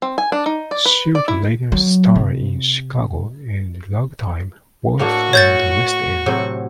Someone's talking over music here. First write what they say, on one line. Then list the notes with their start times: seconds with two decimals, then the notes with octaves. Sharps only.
She would later star in "Chicago" and "Ragtime", both on the West End.
0.02 C4
0.18 G#5
0.32 D4
0.46 D#4
0.71 D5
0.85 B4
1.15 D5
1.28 E4
1.72 F#3
2.16 C3
4.99 A2 A#3 D4 F#4 C#6
5.33 C#5 E5 G6 A6
6.26 A2 C3 F#3